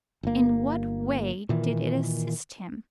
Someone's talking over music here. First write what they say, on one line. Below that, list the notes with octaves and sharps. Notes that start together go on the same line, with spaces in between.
In what way did it assist him?
G1 A#3
A#2 D#3 E3